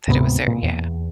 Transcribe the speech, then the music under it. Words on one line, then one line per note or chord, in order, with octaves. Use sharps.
That it was there. Yeah.
D2 G#2 C3 B3
A#2
E2